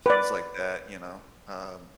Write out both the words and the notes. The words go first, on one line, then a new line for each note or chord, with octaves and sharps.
things like that, you know, um,
B4 D5